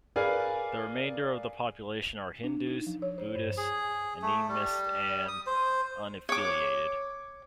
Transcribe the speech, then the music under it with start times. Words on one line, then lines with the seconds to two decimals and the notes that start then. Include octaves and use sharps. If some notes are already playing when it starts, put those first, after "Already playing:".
The remainder of the population are Hindus, Buddhists, animists, and unaffiliated.
0.16 G#4 A#4 B4 D5 F5 G#5
2.44 D4
2.67 D#4
2.87 F3
3.02 C#5
3.18 C5
3.35 G2
3.57 G#4
4.22 A3
4.49 G3
5.28 D#6
5.46 C5
6.29 C#5 D6